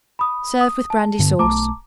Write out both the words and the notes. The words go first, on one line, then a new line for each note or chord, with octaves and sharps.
Serve with brandy sauce.
B5 D#6
D#6
A5
G2 D3 B3
B1 A3 A5 A#5 D6